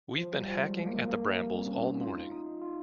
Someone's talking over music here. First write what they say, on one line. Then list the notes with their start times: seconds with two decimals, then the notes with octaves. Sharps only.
We've been hacking at the brambles all morning.
0.18 F3
0.33 G3
0.48 F3
0.63 G#3
0.86 A#3
1.09 A#3
1.25 A#3
1.40 G3
1.54 C4
1.66 C#4
1.78 C#4
1.89 D#4
2.01 F4
2.16 D#4
2.31 D#4
2.46 D#4
2.62 F4